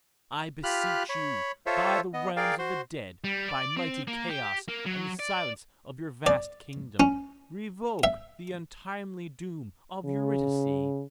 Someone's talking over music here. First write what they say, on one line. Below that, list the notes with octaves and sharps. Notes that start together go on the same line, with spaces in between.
I beseech you, by the realms of the dead, by mighty Chaos and the silence of your vast kingdom, revoke the untimely doom of Eurydice.
F4 G4 B5 F6 F#6
C#5 B5
F4 A4 C5 C#5 E5
B3 D#5
G#4 A#4 D5 F5 G5
F#4 C5 C6
G3
D5
C4
A#3
G4
A#3
F#3
D5
D5
C#4
E5
C#3